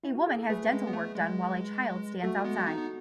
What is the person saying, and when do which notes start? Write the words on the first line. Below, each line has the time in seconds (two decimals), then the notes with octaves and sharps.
A woman has dental work done while a child stands outside.
0.04 E4
0.15 F#4
0.27 G#4
0.39 A4
0.50 A3 G#4 B4
0.72 G#3
0.87 B3
0.93 A3
1.15 G#3
2.23 A3 F#4 A4
2.44 G#3 B3
2.66 B3 D#4
2.77 B3